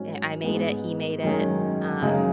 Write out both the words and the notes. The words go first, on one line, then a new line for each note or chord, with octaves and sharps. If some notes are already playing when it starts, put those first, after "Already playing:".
eh I made it, he made it, um
Already playing: G#2 F#3 C#4
G#2 G#3 B3 G#4
F#2 D#3 G#3 C#4
F#2 C#3 G#3 D#4